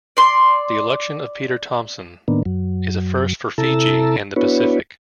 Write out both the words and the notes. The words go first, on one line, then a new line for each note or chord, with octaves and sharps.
The election of Peter Thomson is a first for Fiji and the Pacific.
D5 C6
A2 D#3 A#3 B3 D4
F#2 F#3
C3 E4 A4 A5 A#5 E6
B3 D4 E4 F#4 B4 C#5